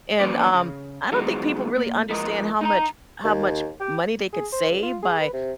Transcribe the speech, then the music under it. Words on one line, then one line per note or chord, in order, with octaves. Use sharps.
And um, I don't think people really understand how much how much money they could save by
E3 A#3 C#4 B4 D5
C#3
D#3 F3 F#3 G#3 B3 F#4
A#2
G#2 F3 A#4 D#5
D#4 G#4 A#5
D#2
G4
G#4
C5
C#2
F4
G#4
B4
C3